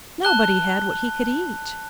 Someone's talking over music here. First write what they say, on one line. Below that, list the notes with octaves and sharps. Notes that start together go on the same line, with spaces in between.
Nobody had what he could eat.
A5 F#6 G7